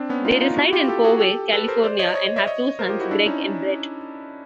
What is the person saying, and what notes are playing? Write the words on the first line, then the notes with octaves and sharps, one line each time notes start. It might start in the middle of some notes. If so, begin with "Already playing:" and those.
They reside in Poway, California and have two sons, Greg and Brett.
Already playing: C4 D4
B3 C#4
D#4 F4
D#4 F4
E4 F#4
F4 G4
G4 A4
F#4 G#4
G4 A4
A4 B4
A#4 C5
C5 D5
C#5 D#5
C#5 D#5
C#5 D#5
D5 E5
C#5 D#5
A#4 C5
F4 G4
E4 F#4
D4 E4
C#4 D#4